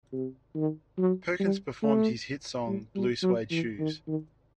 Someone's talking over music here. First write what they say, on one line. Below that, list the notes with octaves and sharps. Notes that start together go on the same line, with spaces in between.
Perkins performed his hit song "Blue Suede Shoes".
C3
D#3
F#3
G3
A3
G3
G3
F#3
E3
D#3
D#3